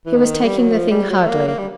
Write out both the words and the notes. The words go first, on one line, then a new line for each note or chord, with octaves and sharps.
He was taking the thing hardly.
E3
D#3
G3
F#3
F3
G3
F#3
A3
A#3
A#3
G3